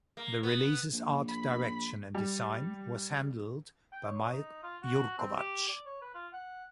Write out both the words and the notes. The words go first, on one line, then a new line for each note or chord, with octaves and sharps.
The release's art direction and design was handled by Mike Jurkovac.
A#3
B3
A#1
B5
G3
G5
C#5
D#4
F4
F#4
C4
G4
D5
C#5
B4
F4
F#5